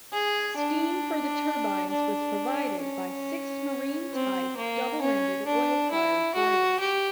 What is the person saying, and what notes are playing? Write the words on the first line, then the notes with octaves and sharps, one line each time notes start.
Steam for the turbines was provided by six Marine-type double-ended oil-fired boilers.
G#4
D4
D4
C#4
C4
A#3
C#4
D4
E4
F#4
G4